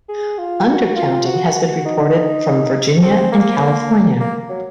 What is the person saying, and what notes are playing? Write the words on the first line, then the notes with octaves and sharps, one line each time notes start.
Undercounting has been reported from Virginia and California.
G#4
F4
F#4
F4
F#4
F#4
D#4
C4
A#3
A#3
F#3